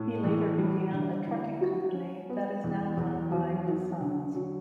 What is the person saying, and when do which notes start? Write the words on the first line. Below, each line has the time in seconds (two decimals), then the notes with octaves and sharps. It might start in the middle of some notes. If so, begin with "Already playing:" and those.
He later began a trucking company that is now run by his sons.
Already playing: A2
0.24 E3
0.58 G3
0.92 D3
1.27 E4
1.61 F#4
1.94 C#4
2.29 B3
2.64 E2
2.97 E2
3.31 F#3
3.66 F#3
4.00 D3
4.35 F#3